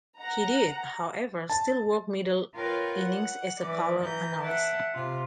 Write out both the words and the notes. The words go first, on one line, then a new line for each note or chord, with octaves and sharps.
He did, however, still work middle innings as a color analyst.
F#5 A#5
A5
F4 A#4 B4 C#5 G5
F#5
E3 E4 D5
E3 A#5 G6
E5 F#5 G5 A5
C3 F4